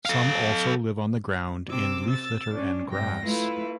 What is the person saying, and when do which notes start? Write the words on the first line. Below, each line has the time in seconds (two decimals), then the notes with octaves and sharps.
Some also live on the ground in leaf litter and grass.
0.05 A4 F5
1.68 C3 D6 E6
2.07 E6 A6
2.54 C#4 D4
2.89 G2 C3 G3 G5 A#6
3.24 A3 E4 F4 B4